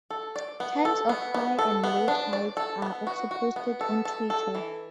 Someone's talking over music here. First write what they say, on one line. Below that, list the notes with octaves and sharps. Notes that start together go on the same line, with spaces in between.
Times of high and low tides are also posted on Twitter.
A4
D5
B3
A4
B3
B3
A4
B3
D4
D5
A4
B3
F#4
F#4
B3
A4
A4
A4
E3